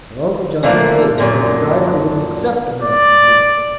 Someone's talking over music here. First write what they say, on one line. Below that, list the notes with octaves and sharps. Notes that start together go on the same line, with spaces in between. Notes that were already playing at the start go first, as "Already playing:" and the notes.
Uncle John paid, but the driver wouldn't accept American money.
A#2 D3 F3 A3 A#3
F#2 A#2 D3
D5